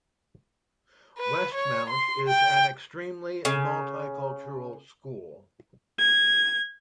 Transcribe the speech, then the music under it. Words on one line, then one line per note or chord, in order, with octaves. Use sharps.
Westmount is an extremely multicultural school.
B4
C#5
C6
G5
C#3
G#6